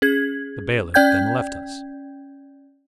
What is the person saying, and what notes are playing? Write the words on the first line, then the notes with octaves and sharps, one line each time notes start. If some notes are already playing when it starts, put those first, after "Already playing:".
The bailiff then left us.
C#4 G#4 G#6
C#4 D5 G5 G6 G#6